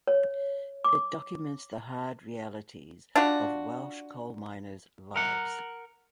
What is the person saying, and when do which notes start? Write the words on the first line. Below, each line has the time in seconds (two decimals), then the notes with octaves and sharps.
It documents the hard realities of Welsh coal miners' lives.
0.07 C#5
0.84 D6
3.16 D4 F4 F#4
5.16 A#4 F#5